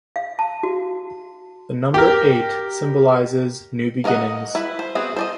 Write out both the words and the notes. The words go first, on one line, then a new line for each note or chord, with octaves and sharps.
The number eight symbolizes new beginnings.
F5
A5
F#4
G4 A#4
A#3 A#4 C#5 D#5 F#5
E4 B4
C5
B3 C4 F#4 G#4
C5 D5 D#5